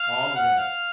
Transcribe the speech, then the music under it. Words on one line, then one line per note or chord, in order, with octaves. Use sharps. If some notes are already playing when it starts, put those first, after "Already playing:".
All of it.
Already playing: F5
F#5
F5